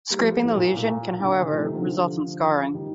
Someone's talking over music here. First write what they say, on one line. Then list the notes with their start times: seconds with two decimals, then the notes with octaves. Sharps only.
Scraping the lesion can however result in scarring.
0.10 G3 A#3
0.21 F3 A3
0.44 A2
0.54 A#2
0.77 A#2
1.20 A#2 D3
1.42 C3 D#3
1.53 F3 A3
1.64 C3 D#3
1.75 D3 F3
2.74 D#3 G3